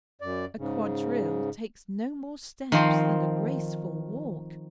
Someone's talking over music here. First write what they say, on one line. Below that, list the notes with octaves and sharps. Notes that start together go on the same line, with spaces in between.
A quadrille takes no more steps than a graceful walk.
F#2 D5
G#2 C#3
D#3 F3 C4